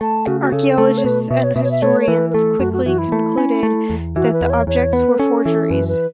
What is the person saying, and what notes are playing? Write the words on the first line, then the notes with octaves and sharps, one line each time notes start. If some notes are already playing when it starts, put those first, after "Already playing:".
Archaeologists and historians quickly concluded that the objects were forgeries.
A3 A5
C#3 F#4
F#4
C#3 A4
A3 A4
C#5
B2 B4
B2 E5
C#5
B2 E5
C#5
E5
A3 C#5
C#5
E3 B4
B4
A3 A4
F#2 F#4
F#4
E3 F#4
E4
A3
C#4
A3
E2
E3 F#4
B4
E2
C#5
E2 C#5
B3 B4
C#4 A4
E3 A4
F#2 B4
B4